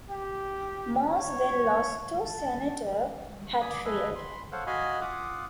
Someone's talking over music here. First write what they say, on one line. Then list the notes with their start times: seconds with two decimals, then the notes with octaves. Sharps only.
Morse then lost to Senator Hatfield.
0.10 G4
1.08 C#5
2.22 A5
3.61 D5 G#5 B5 D6 D#6
3.85 A4 B4 D#5 E5 G#5
4.15 B5 C6
4.52 A4 C5 C#5 F5 F#5
4.67 F#4 D#5 F5 G#5 B5
5.01 F4 F5 F#5 D6 D#6